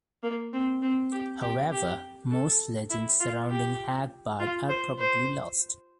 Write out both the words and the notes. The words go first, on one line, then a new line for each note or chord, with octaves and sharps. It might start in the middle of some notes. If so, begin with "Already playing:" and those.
However, most legends surrounding Hagbard are probably lost.
A#3
C4
C4
G4
G4
G4
A4
E4
F4
G4
F4
C5
C5